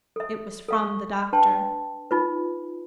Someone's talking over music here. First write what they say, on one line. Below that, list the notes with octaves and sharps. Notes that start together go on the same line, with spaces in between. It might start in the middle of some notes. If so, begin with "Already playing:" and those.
It was from the doctor.
A4 E5
A4 F5 C#6
D4 B4 G5 A5 C6
D#4 F4 B4